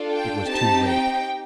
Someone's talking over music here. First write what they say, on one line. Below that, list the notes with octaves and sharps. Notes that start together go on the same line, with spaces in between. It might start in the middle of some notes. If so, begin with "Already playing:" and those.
It was too late.
Already playing: D4 F4 A4
G5
C4 D#4 G4 A5
G5